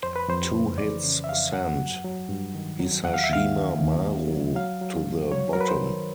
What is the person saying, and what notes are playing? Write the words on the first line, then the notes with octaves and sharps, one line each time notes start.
Two hits sent "Hisashima Maru" to the bottom.
F2 C5
B4
F2 C5
C#3
E3 D5
C#3
E5
F2 F5
G2 F#5
F#3
F#3
G2
D#3
F#3
D#2 F#5
F5
E5
D#2 F5
D#3
D#2
D#2
F#3
F#3 F5
F#3
G2
F#3 C#5
F#3 A#4
B4
C5
D#3